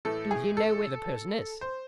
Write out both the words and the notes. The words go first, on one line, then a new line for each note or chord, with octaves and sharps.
"Do you know where the person is?"
A2 E3 A3 A4
G#4
A4
C5